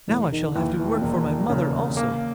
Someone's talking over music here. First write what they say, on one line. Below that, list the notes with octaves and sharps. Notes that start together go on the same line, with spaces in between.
Now I shall have to work for my mother also.
E1 A2
D#3
D#2 E3
E3
A2
E1 A#2
C#3
A#3